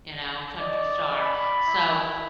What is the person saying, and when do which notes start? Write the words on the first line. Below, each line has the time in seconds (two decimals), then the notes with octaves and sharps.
you know, country star." So,
0.59 D5 D#5
1.20 B5
1.67 E4